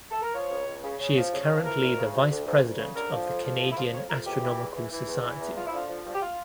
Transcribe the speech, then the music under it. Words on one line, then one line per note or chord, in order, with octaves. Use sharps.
She is currently the Vice President of the Canadian Astronomical Society.
A4
A#4
F3 C#5
C#2
C#2
C#3
C#3
F3
C#3
F3
E3 A#4
D2
C#3
D2
D2
D2
D2
C#3
D3 A#4
F3
F2
F3
F2 A4
E4
F3 F4
F2 C#5
F2 A#4
E2 G4
E3
E2
E3
E3
E2
E3
E2
F3 F4
E4
D3 F4
F3
G2
G4
F4